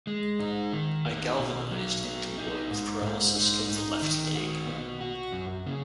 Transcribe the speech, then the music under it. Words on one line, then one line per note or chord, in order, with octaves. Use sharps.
I galvanized a little boy with paralysis of the left leg.
G#3
D#4
D#3
B3
B2
F#3
B3
D#4
G#2
G#2
D#4
D#4
D#3
F#4
B3
F#4
F#2
C#3